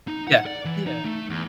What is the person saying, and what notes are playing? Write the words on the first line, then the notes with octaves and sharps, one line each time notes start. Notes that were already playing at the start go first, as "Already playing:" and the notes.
Yeah, yeah.
D#4
F#5
D5
E3
D#4
A3
E2